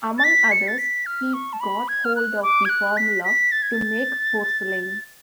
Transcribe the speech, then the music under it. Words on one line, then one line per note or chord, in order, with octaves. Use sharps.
Among others he got hold of the formula to make porcelain.
A6
B6
C#7
A6
B6
F6
C#6
A5
B5
G#6
F6
F#6
D6
G#6
F#6
B6
B6
A6
G#6
A6